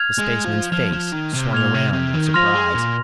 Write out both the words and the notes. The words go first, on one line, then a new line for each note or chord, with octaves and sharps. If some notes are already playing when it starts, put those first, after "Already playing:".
The spaceman's face swung around in surprise.
Already playing: F6 G#6 F7
G#3
F3
F3 F6 G#6 F7
F3
D#3
C3
A#2 F6 G#6 F7
C3
C3
D#3
F3 C6 F6 A#6 F7
G#3
A#2